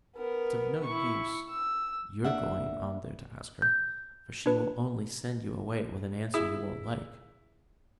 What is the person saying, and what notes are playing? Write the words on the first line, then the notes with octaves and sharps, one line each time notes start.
It's of no use your going on there to ask her, for she will only send you away with an answer you won't like.
B3 A#4
E4 C#6
E6
A#3 D4 E5 F#5
G6
D4 B4
E4 G#4